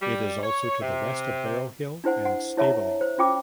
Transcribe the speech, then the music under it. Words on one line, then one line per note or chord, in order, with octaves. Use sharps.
It is also to the west of Barrow Hill and Staveley.
G3
C#5
C3
D4 E4 C5 F#5
F#5
E4 C#5 E5 A5 A#5
C5
C#4 F4 G5 D6